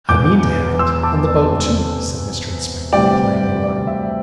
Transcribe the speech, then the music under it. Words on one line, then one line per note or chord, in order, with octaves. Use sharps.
'I mean to have it, and the boat too,' said Mr Inspector, playing the line.
E1 E2 E3 D6 G6
C6 E6
A5 D6
D5
E1 E2 C3
D2 C3 E3 G3 D5 G5
D5
E5